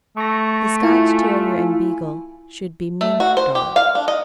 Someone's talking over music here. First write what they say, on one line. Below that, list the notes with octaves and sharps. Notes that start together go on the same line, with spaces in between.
The Scotch Terrier and Beagle should be mink dog.
A3 C#6 A#6
E4 F4 G#5
A3
F#4
C5
G4
F5
D4
D#5